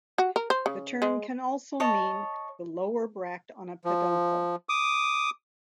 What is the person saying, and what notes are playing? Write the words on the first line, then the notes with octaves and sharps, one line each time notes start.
The term can also mean the lower bract on a peduncle.
F#4
A#4
C5
C#3
G#3
C#5 D#5 A5
F3
D6 D#6